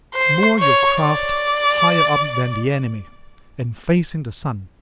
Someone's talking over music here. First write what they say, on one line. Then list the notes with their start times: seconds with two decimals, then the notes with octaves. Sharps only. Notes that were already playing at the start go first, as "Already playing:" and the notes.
Moor your craft higher up than the enemy, and facing the sun.
0.15 C5
0.59 C#5
1.02 D5